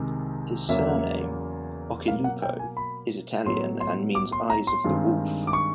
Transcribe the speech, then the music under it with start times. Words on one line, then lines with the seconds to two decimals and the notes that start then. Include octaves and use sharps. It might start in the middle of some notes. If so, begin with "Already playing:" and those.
His surname, Occhilupo, is Italian and means eyes of the wolf.
Already playing: C2 C3 D#3 G#3 C4
0.69 E2 C#3 F#3 A#3 E5
2.08 B2 F#3 A#3 F5
2.24 F#5
2.42 G5
2.59 G#5
2.77 B5
3.46 A2 F#3 B3 C6
3.80 C6
4.15 D6
4.32 C6
4.50 A#5
4.67 C6
4.84 G2 D#3 G#3 C4
5.47 D6
5.53 C#6